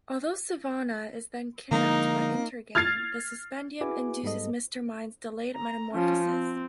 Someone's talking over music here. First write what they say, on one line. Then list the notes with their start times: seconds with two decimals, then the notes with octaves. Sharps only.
Although Sivana is then kidnapped by Intergang, the Suspendium induces Mister Mind's delayed metamorphosis.
1.71 D3 F3 G#3 A#3 D#4
2.75 F6 G#6 A6 C7
3.81 E4 F#4 G#4 B4 G#5 D6
4.24 G#2 G3 B3 A4 D#5
5.56 A#5
5.94 F3 C#4
6.29 C4